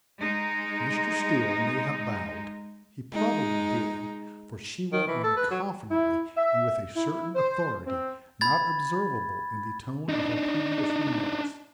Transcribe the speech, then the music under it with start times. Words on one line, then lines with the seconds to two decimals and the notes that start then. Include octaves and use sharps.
Mr. Steele may have bowed; he probably did, for she went on confidently and with a certain authority not observable in the tone of her previous remarks.
0.17 G#3 D#4
3.13 G#3 D#4
4.92 D#3
5.07 E3
5.24 A4
5.37 B4
5.51 F#3
5.91 E4
6.37 E5
6.95 E4
7.36 C5
7.87 C4
8.41 B5 G#6 A6
10.09 D4 D#4